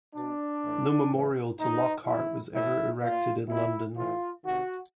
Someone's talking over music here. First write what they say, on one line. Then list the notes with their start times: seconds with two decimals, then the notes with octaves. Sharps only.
No memorial to Lockhart was ever erected in London.
0.15 B2 D4
0.63 A2 E3
1.10 A2 E3
1.58 A2 E3 D#4
2.05 B2 E4
2.53 A2 E3 E4
3.01 A#2 F4
3.49 B2 E4
3.96 A2 E3 F4
4.44 C3 D#3 F#4